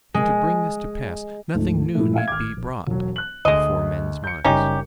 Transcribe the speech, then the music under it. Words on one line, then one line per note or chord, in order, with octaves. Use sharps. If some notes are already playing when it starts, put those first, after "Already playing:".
And to bring this to pass, nothing new need be brought before men's minds.
G#3
D2 G#2 F3 A3
A#2 F3 A3 E4
E5 F5 G#6
G#1 D6 F6 G#6
A#1
E1 F#3
F#6 F#7
D2 G#3 D#5
G6 C#7
F#1 G3 C#4 D#4 G4